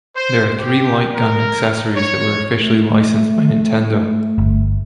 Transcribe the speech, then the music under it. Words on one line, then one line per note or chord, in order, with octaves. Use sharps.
There are three light gun accessories that were officially licensed by Nintendo.
C5
G4
A#4
C#5
A3
G1